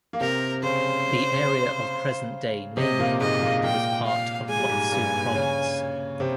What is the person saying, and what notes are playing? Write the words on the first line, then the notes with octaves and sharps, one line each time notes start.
The area of present-day Namie was part of Mutsu Province.
A#3
C3 C4 A#4
C#3 C#4 C5
C3 C4 D#5
A#2 A#3
G#2 G#3 D#5
A#2 A#3
A#2 A#3 G5
F5
G#3 G#5
G3
G#2 G#3
G2 G3
C#3 C#4
C3 C4